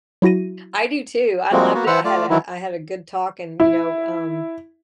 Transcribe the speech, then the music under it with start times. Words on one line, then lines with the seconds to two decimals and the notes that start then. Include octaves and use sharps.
I do too. I loved it. I had a I had a good talk and, you know, um,
0.22 F#3 E4 F#4 A#6 D#7
1.52 F3 G3 G#3 A#3 C4 F#4
1.74 A#3 B3 F#4
1.87 E3 B4 C5 F#5 E6
2.05 A3 F4 D5
2.30 D#3 E3 F#3 E4
3.60 E4